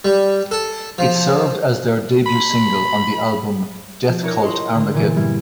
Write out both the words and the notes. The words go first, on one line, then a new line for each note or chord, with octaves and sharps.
It served as their debut single on the album "Death Cult Armageddon".
G3
A4
F3
B5
F3
D4 E4 A#4 C#5
C#5 D#5 C6
D3
A#2 E3 B3
G2 G3 E4